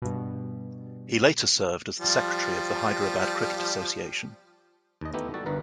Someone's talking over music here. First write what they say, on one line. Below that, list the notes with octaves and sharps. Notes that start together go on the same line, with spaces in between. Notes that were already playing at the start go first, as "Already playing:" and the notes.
He later served as the secretary of the Hyderabad Cricket Association.
G2 B2
F3 G3
D#2 D#5
A3 B3 D#4 E4 G4
G3 F#4 A4 A5
G1 G2 A#4 B4